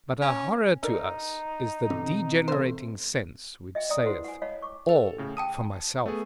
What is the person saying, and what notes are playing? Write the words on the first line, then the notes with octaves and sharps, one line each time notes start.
But a horror to us is the degenerating sense, which saith: "All for myself."
C#4
D#4 A4 A#4 D5
B2 D3 E3 C4
A3 C5
D#5 E5 G5
D5 E5 G5 A#5 D#6
E4 B4 C5 F#5 C6
F#5 G#5
C#5 D#5 F5 F#5 A5 B5
C#6 D6
A4 C5 F7
A2 C#3
G5 A5 D#6 D#7
A3 B3 G#4